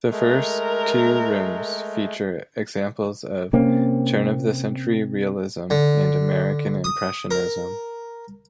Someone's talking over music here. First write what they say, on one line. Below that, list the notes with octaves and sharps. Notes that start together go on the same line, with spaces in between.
The first two rooms feature examples of turn-of-the-century realism and American impressionism.
G#3 A3 A#4
C3 A#3 C4 C#4
D3
D#6
A#4